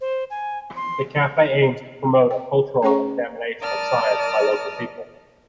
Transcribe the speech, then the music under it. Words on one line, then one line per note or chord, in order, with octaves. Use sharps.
The Cafes aim to promote a cultural examination of science by local people.
C5
G#5
C6
G5
A3 C#4 G#4 C#5 A#5 C#6
A#4 D5 A5 D#6 F6